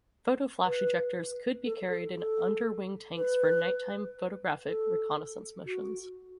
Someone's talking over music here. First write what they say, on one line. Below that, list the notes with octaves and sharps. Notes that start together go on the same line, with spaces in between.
Photoflash ejectors could be carried in underwing tanks for nighttime photographic reconnaissance missions.
B4
A4
A4
A4
B4
A4
F#4